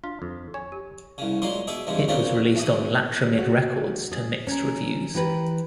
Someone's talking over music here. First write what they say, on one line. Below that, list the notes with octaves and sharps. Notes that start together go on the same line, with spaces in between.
It was released on Latyramid records to mixed reviews.
D4 F4
F2
C#5 G#5
G4
C2 C#3
A#2 F#3 G#3 D#4 C6
B2 G#4 E5 D6
E2 G2 C#3 G#3
A#2 C#3 F#3 B3 C4
B1 E3 D#6
F#4
G#4
C#4 A#4
E3 G4 A#4 B4